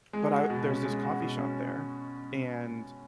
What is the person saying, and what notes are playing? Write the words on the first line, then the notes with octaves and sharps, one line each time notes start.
but I there's this coffee shop there, and
G#3
F#4
B2
C#4
G#3
F#4
B2
C#4